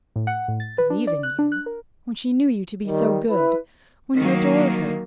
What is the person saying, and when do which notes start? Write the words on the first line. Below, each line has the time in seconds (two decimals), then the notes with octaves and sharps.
"Believe in you?--when she knew you to be so good!--when you adored her!"
0.16 A2
0.27 F#5
0.48 A2
0.60 A6
0.78 B4
0.90 D4
1.07 D5
1.23 F#6
1.39 D4
1.52 F#6
1.66 A#4
2.86 D#3 G3
3.30 E4 B4
4.18 D#3 F#3 A#3